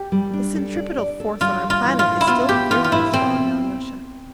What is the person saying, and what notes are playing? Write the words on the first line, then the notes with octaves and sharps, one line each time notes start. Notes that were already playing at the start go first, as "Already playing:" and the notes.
The centripetal force on our planet is still fearfully strong, Alyosha.
Already playing: G4
G3
D4
A4
D5
D5
A4
G3 F4
G3
F4
E3
F4
A2
E4
B3 F4
B3 G4
E3 F4
F4
A2 E4
B2 C4